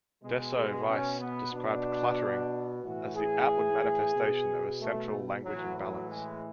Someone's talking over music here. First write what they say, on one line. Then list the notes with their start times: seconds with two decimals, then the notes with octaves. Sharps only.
Deso Weiss described cluttering as the outward manifestation of a central language imbalance.
0.23 B2 G#3
0.55 G#3
0.88 C#4
1.20 B3
1.53 B2 D4
2.83 A2 E3 F#4
3.16 G#4
4.14 B2
4.79 A3
5.44 A2 E3 F#3
5.76 F#3
6.09 G#3